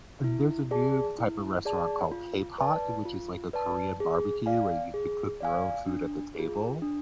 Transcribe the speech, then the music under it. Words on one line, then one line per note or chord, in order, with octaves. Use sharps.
and there's a new type of restaurant called KPOT, which is like a Korean barbecue where you can cook your own food at the table.
E4
G#4 D5 A5
E4
G#4 D5 A5
F4
B4 D5 A5
F4
B4 D5 A5
G#4
D5 F5 G#5
G#4
D5 F5 G#5
D4
F4 G#4
D4